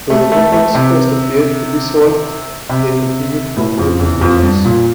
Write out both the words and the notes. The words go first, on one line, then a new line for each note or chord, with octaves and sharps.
Though the problems first appeared to be solved, they continued for many users.
A3
A3
A3
C3
C3
A2
F2
E2
F2
G2
A#2